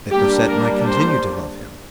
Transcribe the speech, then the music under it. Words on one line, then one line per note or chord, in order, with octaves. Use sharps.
That Cosette might continue to love him!
G3 A#3 D4 G4
A#4
C5